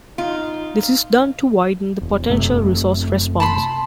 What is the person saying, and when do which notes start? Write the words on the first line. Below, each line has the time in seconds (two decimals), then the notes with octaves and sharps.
This is done to widen the potential resource response.
0.18 D#4 F4
2.01 E1
2.28 F#1 C3 A3
3.40 A5 B5 C6